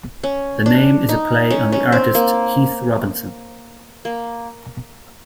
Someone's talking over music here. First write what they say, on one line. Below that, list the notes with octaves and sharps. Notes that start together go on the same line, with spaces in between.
The name is a play on the artist Heath Robinson.
C#4
D4
D#4
C#4
C#4
C4
A#3
A#3